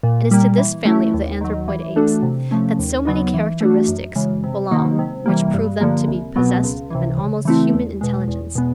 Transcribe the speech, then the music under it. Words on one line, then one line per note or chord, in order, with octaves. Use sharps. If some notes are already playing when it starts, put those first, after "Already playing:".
It is to this family of the anthropoid apes that so many characteristics belong which prove them to be possessed of an almost human intelligence.
A#2
G3 A#3
E3
A3 C#4 E4
D#2
D#3 F#3
E3
A3 D4 F#4 A4
C3
F3 A3 C#4
D#2
C#3 F#3 B3 D#4
E3
A3 D4 F#4
F#2
C#3 E3 G#3
C3
D#3 F#3 A#3 D#4
C3
E3 G3 A#3
G2
D3 F3 A#3
C2
B2 F#3 B3
C#2
C3 E3
C#3
E3 A3 C4 E4
E2
B2 G#3
E2
B2 G#3 B3